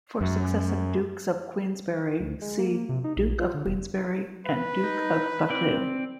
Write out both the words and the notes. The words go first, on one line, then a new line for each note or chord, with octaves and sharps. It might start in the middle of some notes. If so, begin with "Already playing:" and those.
"For successive Dukes of Queensberry see" Duke of Queensberry "and" Duke of Buccleuch.
F#2
D2
G#3
A#3
C3
D#4
A#1
F4
D3
E1
B4
D#4
C4 D5